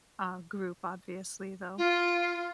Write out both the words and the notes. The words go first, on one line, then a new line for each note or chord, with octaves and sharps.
uh, group, obviously, though.
F4